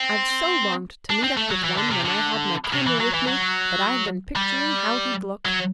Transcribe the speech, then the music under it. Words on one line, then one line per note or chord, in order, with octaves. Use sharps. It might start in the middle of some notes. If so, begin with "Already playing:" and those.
I've so longed to meet up with one when I had my camera with me that I've been picturing how he'd look.
Already playing: C4
D4
C4
A3
F#3
E3
D3
C3
D3
C3
E3
F#3
E3
F#3
G3
F#3